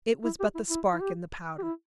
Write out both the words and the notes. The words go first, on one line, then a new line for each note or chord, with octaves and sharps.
It was but the spark in the powder.
E4
G4
E4
E4
E4
G4
G4
E4